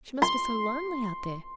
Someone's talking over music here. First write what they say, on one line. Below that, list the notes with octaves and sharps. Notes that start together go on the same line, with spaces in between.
She must be so lonely out there.
C6